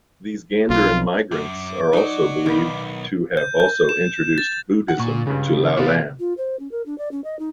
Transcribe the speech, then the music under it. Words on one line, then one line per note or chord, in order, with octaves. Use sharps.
These Gandharan migrants are also believed to have also introduced Buddhism to Loulan.
B1 F4
F#2 D6
F#3 D#4 F#4 D5
B1 D#3 B3
G6
G6
E7
A6
F#5
A#2 C#6
C#2 G2 C#3
C3 A3 B3 F4
F4
C5
C#4
A#4
D4
D5
C#4
D#5
D#4